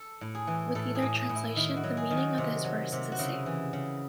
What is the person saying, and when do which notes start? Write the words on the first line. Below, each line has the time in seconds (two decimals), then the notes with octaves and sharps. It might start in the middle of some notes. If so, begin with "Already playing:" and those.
With either translation the meaning of this verse is the same.
Already playing: A4
0.21 A2
0.35 G#4
0.47 E3
0.75 A2 A4
0.95 G#4
1.02 A2
1.16 G#4
1.29 A2
1.36 E4
1.56 D#3 E4
1.77 F#4
1.84 F#3
1.97 G#4
2.10 D#3
2.17 F#4
2.38 C3
2.65 F#3
2.92 C3
3.12 F#4
3.19 C#3 E4
3.46 E3
3.73 C#3